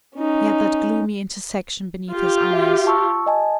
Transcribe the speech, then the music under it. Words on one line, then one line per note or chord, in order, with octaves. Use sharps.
He had that gloomy intersection beneath his eyes.
C#4 D#4
F4 G4
F#4 E5
A5 C#6 E6
D#5 G#5 A5